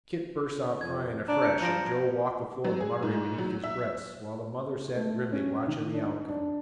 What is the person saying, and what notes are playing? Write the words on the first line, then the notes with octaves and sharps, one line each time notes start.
Kit burst out crying afresh, and Joe walked the floor muttering beneath his breath, while the mother sat grimly watching the outcome.
F2 G#6
D4 A#5
G6 C#7
F3 A#5 A#6 D7
F#3
G#4
G#2
F#3
E5
A3
C#4
D#3
D4
D#4
D4